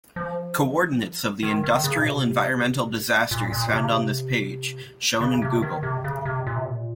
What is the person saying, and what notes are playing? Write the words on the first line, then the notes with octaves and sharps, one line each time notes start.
Coordinates of the Industrial Environmental Disasters found on this page, shown in Google.
F3
D#3
D#3
C#3
A#2
C3
A#2
A#2
C3
C#3
C3
C#3
C3
D#3
C3
C#3
C3
A#2
C3
A#2